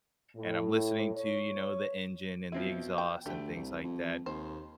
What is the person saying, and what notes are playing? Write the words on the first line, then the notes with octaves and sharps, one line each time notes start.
and I'm listening to, you know, the engine and the exhaust and things like that,
A2
C#5
B2 F3 C4 E4
G5
D2 A3 G4 G5
C2
F2
D#2 C5